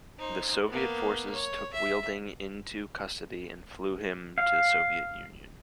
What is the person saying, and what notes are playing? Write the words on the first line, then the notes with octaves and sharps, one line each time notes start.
The Soviet forces took Weidling into custody and flew him to the Soviet Union.
D#4 C5
A#3 B3
C#5
E5
F5